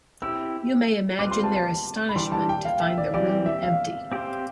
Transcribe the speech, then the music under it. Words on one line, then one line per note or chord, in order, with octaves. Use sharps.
You may imagine their astonishment to find the room empty.
C4 E4 G4 E6
G3 C4 F4 B4 D6
C6
A5
A5
B5
E3 G3 D4 G4 C6
A5
G5
F5
E5
D5
E3 G3 C4 G4 D5
D5
E5
F5
C4 G4 C5